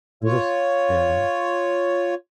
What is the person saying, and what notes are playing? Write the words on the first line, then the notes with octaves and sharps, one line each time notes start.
This was Yeah.
F4 C#5